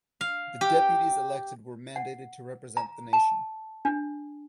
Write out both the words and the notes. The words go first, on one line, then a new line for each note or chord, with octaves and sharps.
The deputies elected were mandated to represent the nation.
F5
G4
F#5
A#5
A5
D4